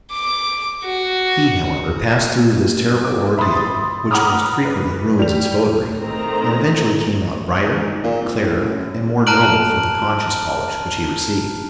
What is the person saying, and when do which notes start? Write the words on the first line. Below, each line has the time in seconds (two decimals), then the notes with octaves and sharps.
He, however, passed through this terrible ordeal, which most frequently ruins its votary, and eventually came out brighter, clearer and more noble for the conscience-polish which he received.
0.12 D6
0.84 F#4
3.05 D6
3.38 E5 B5 C6 D#6 A6
4.11 F#5 A#5 B5 D6 D#6 F6
4.65 B4
5.19 G3 F7
5.97 D#3 A3 C4 A#5
7.62 G#2
8.03 A#2
8.21 C2
8.41 A2
8.60 F#2
9.27 A5 A#5 F6 F#6 D7 F#7